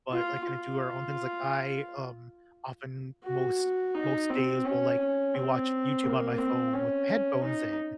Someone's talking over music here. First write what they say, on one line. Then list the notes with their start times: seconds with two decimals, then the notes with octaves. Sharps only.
but, like, kinda do our own things, like I, um, often most most days will, like, be watching YouTube on my phone with my headphones in,
0.11 F4
0.46 F4
3.25 F#4
3.95 D#4
4.30 C4
4.64 C#4
4.99 C#4
5.34 C4
6.04 A#3
6.39 C4
6.73 C#4
7.43 D#4